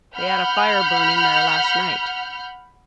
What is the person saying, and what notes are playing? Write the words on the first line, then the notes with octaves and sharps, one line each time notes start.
"They had a fire burning there last night."
F#5 B5 F6 G6